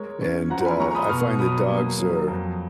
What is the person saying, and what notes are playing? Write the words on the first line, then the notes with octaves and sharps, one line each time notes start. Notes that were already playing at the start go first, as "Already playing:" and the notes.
and, uh, I find that dogs are
Already playing: G#3 A#4 C#5
C#4
F3 F#5 A#5
G#5 B5
G#3 A#5 C#6
B5 D#6
B2 C#6 F6
F#3 B5 D#6
A#3
F#3
F2